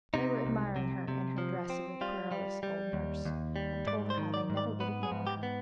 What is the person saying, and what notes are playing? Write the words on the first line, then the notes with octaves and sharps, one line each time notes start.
They were admiring her, in her dress of the querulous old nurse, and told her how they never would have known her.
C3 D#4
C2
C3
C3
F3
C4
G3 F4
G3
G3
D#2
D#2
G3
G#2 D5
C5
D#3
D5
G#2
D5
B3 B4
G#4
G#2
G4
B3